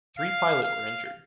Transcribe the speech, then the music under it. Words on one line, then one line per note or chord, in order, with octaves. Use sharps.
Three pilot were injured.
F5
F5